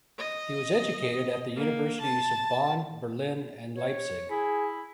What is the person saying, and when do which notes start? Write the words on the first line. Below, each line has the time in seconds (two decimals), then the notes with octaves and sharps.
He was educated at the universities of Bonn, Berlin, and Leipzig.
0.18 D#5
1.56 A#3
2.01 A5
3.76 C#5
4.30 E4 G#4